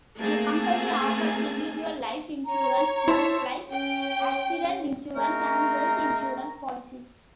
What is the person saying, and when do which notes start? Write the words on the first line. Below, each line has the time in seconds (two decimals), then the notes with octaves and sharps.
The company offers individual life insurance, group life, accident insurance, and health insurance policies.
0.17 A3 A#3 C4 G#4 G#5 A5
2.46 C#5 A#5
3.08 E4 C5 E5 A5
3.70 C#4 G5
5.16 G#3 A3 C4 C#4 A#4